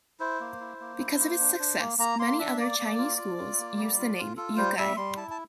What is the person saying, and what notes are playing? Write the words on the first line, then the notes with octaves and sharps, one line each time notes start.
Because of its success, many other Chinese schools use the name "Yucai".
E4 C5
A#3
E4
A#3
E4
A#3
D4
D4
A#3
A#3 A#5
A#3 C6
D4 E5
A#3 D5
A#3
F4
F4
F4
A#3
G3
F4
F4
F4 A4
G3 C5
G3 E5
G3 C6
E4 A5
A5